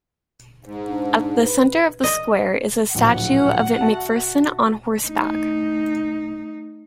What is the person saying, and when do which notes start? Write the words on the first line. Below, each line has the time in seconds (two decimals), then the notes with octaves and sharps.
At the center of the square is a statue of McPherson on horseback.
0.64 G#2
0.88 D4
1.44 B4
2.04 D#5
2.94 D1 A#1 F#5
3.81 F#4 E5 A5
5.07 A3 D#4